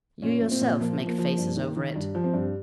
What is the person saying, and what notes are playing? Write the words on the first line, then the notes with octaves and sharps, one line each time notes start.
You yourself make faces over it.
A#2 C#4
A#2
C4
A#2
F3 A#3
F3
A#3
F3
G2
D#3
D#3
G2
F3
C4
G2